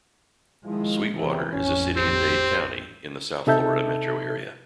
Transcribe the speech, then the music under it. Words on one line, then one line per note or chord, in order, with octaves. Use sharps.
Sweetwater is a city in Dade County, in the South Florida metro area.
D#3 F3 G#3 E4
E2 C3 E3
A1 F2 C#4
C4 G4 C5
C3 D#4 A4 E5 A5 G6